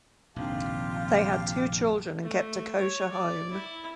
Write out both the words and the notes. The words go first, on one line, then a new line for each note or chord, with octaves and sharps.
They had two children and kept a kosher home.
A#1 F2 C3 D#3 D4 F4 G4 F5
A3
C#5
D5
E4